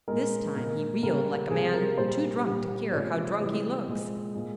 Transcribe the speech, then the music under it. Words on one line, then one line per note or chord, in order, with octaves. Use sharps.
This time he reeled like a man too drunk to care how drunk he looks.
A#2 G#3 A#4
A#2 G#3 A#4
C#3 G3 A#4
C3 G3 G#4
A#4
A#2 G3 C5
A#2 G3
C3 F3 G#3 C#5
C3 E3 G3
A#2 F3 G#3
A#2 G#3